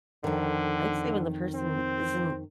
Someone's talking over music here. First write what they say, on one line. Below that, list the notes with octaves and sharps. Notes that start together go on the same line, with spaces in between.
I'd say when the person isn't
F2 D3 D#3
C4